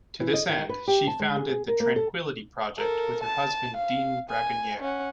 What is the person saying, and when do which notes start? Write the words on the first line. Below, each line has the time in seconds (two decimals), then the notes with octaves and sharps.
To this end, she founded "The Tranquility Project" with her husband Dean Bragonier.
0.20 E3
0.34 D#5
0.49 D#3
0.69 B4
0.87 G4
1.07 A5
1.20 G#3
1.36 G#4
1.49 G#4
1.68 A#4
1.80 A#3
1.96 A4
2.78 A4 A#4
3.24 A5
3.77 F5
4.30 G#5
4.80 C#4 F#5